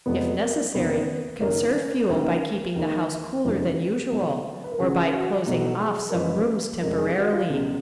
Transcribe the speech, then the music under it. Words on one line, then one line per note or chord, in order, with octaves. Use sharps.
If necessary, conserve fuel by keeping the house cooler than usual, or by "closing off" some rooms temporarily.
F1 F2 F3 G#3 B3
A#3
F1 D#2 C#3 B3
F#1 F#2 D#3 A#3
C#4
D#2 C#3 F#3 A#4
D#2 D#3 G#3
F1 D#2 C#3 F3 G#3
B1 B2 F#3
B4
A#4
C#2 C#3 F3 G#4
F#4
B1 B2 F#3 F#4
G#4
A#4
F#1 F#2 F3 G#3 B4
F1 F2 C#3 F3 G#3 A#4
G#4
F#4
F4
C#2 B2 F#3 C#4